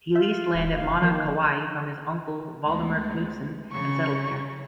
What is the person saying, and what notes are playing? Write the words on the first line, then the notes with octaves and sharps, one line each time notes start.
He leased land at Mana, Kauai from his uncle, Valdemar Knudsen, and settled there.
F4 E5
D#1
F1 F5
F#1
D#3 F3 A#3 F4
D2 G#3 B3
C#3 F#3 C#4 C#6